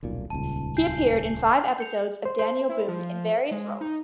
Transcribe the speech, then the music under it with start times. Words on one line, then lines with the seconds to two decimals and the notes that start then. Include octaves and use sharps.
He appeared in five episodes of "Daniel Boone" in various roles.
0.03 D#1 B1 A#2
0.30 D#1 C#2 A5
0.77 G#5 G6 C7
1.78 G6 C#7 F7
2.25 C5
2.39 C5
2.69 E4
2.88 F3
3.51 G#3
3.81 D#4